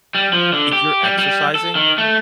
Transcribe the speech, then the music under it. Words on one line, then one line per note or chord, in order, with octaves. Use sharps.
if you're exercising,
G3
F3
D3
G4
G3
G3
A4
D#3
A3